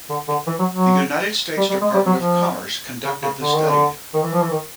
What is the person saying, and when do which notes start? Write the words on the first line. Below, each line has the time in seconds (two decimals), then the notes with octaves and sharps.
The United States Department of Commerce conducted the study.
0.10 D3
0.28 D3
0.47 E3
0.59 F#3
0.72 F#3
1.58 G3
1.70 G3
1.81 G#3
1.94 G3
2.06 F#3
2.19 F3
3.05 C#3
3.23 C#3
3.41 D3
3.55 D#3
3.69 D3
4.14 D#3
4.24 E3
4.33 F3
4.42 E3
4.51 D#3